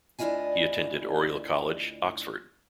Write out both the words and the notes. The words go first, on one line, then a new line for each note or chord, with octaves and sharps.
He attended Oriel College, Oxford.
D2 D4 E4 F4 D#5 G#5